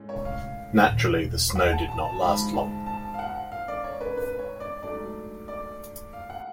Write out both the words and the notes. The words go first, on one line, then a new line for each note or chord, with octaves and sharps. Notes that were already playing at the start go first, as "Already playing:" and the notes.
Naturally, the snow did not last long.
Already playing: A2 G#3 C#4
C#5
F5
F#5
A5
A5
A5
G#2 F3 G#3 B5
A5
A5
F5
F#5
F5
D5
C#5
B4
B4
C#5
D5
G#2 F#3 A3 D4 D5
D5
F5
F#5